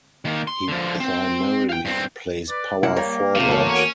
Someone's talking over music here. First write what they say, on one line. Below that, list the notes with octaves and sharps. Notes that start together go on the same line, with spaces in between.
He primarily plays power forward.
D#3 A#3
C6
D3 F3
C4
F5 G5
G2 C4
B4 D5
C2 A#3 E4 F#5
G3 A#4 C#5
F2 A2 C3
E2 F#4 A4 A#4 C#5
C#4